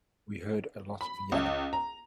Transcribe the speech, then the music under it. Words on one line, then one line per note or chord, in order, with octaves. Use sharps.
We heard a lot of yelling.
B5
C#2
A#5